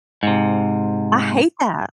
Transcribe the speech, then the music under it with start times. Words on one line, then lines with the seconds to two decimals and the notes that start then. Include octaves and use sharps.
I hate that.
0.23 G#2 C3